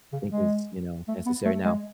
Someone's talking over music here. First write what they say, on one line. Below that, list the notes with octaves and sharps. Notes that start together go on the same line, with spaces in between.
think is, you know, necessary. Now,
C#3
G#3
A3
B3
A3
G#3